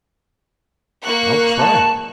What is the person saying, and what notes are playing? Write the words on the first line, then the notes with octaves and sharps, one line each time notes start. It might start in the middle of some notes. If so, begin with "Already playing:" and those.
I'll try it.
A#3 C#6 F#6
A5